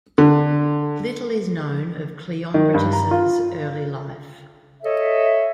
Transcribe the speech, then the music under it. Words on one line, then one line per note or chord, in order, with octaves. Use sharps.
Little is known of Cleombrotus' early life.
D3
D#3
G2
A#5
F4
A4 C#5 D#5 E5